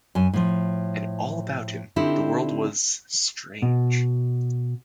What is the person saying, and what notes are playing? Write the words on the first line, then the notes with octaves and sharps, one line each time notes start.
And all about him, the world was — strange.
F#2 G#5
A2 F3
D3 C4 D#4 E4 G4
B2